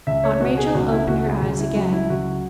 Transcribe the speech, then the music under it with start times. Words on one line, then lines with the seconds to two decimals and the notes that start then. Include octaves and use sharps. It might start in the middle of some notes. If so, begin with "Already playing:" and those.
Aunt Rachel opened her eyes again.
0.07 C#2 E5
0.24 C#5
0.40 B2 F#4
0.57 G#4
0.74 C#2 F#4
0.91 E4
1.04 E4
1.08 C#2 F#4
1.25 G#4
1.42 C#2 G#4
1.59 E4
1.75 F#3 F#4
1.92 E4
2.09 C#2 F#4